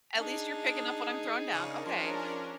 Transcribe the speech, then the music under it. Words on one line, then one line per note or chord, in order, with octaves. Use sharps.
at least you're picking up what I'm throwing down, okay.
D4 D#4 G#4
C#3 C#4 D4 A#4
F3